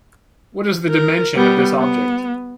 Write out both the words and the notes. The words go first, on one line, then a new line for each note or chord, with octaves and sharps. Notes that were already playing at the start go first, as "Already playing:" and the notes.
What is the dimension of this object?
A#4
G3 B3
B3